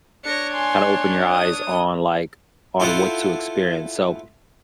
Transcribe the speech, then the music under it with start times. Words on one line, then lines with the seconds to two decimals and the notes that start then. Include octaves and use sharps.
kinda open your eyes on, like on what to experience, so
0.25 D4 C#5 A#6 C#7
0.54 G#5 C6
1.33 D#6 D#7
2.80 E4 F4 A4 C5 F#5